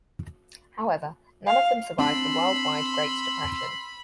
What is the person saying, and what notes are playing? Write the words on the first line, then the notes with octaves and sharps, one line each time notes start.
However, none of them survived the worldwide Great Depression.
F5
C4 D4 B5 C6 E6